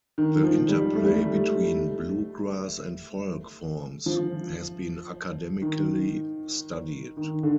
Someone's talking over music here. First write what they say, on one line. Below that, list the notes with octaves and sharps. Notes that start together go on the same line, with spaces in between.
The interplay between bluegrass and folk forms has been academically studied.
D#3
F3
G3
A3
G3
A3
F3
D#3
D#3
D3